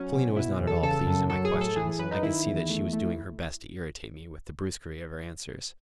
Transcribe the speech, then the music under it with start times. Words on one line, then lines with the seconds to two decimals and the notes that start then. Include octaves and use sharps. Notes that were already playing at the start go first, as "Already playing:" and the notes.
Polina was not at all pleased at my questions; I could see that she was doing her best to irritate me with the brusquerie of her answers.
Already playing: F#3 C#4
0.13 B2
0.37 B2 E4
0.60 E2
0.67 A4
0.83 C#3 A4
1.07 F#2
1.30 F#3 A4
1.45 G#4
1.53 A2
1.61 A4
1.76 E3 G#4
1.99 F#2 B4
2.11 D#4
2.22 D#3 E4
2.46 E2
2.70 A3
2.93 A3